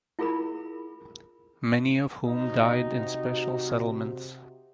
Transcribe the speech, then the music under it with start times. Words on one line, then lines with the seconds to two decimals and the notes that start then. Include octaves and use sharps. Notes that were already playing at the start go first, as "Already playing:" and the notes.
Many of whom died in special settlements.
0.19 E4 F4 G#4 A#4 B5
2.27 C3 D#4 F#4